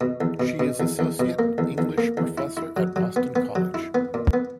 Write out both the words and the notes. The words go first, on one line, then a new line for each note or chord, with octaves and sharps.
She is associate English professor at Boston College.
B2
E2
B2
B2
E2
E2
B2
A#3
E2
E2
A#3
E2
E4
E4
F#3
F#3
B3
B3
F#3
E4
B3
A#2
B3